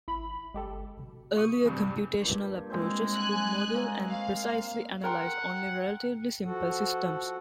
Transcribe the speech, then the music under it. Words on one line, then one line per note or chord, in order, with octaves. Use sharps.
Earlier computational approaches could model and precisely analyze only relatively simple systems.
G#1 E4 B5
G1 G#3 G4 A4
B2
F4 C#6 D#6
E2 G2 C3
G2 A#2
G#3 C4 C5
G#5 F#6
A#3 C4 F#4
F5
A#4 F#5 G5 C6
F3 F#4 A4 F#5